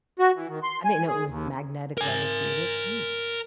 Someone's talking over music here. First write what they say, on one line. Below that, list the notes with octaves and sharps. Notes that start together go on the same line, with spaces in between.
I didn't know it was magnetic levitated, mm.
F#4
E3
D#3
C6
G#5
G#4
D#2
A#4 G#5